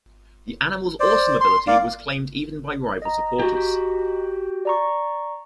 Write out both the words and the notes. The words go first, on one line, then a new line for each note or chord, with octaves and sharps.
The animal's awesome ability was claimed even by rival supporters.
C5 D5
C6
A#3 D5 F5
D#5 A#5
F#4 G4
D5 A#5 C#6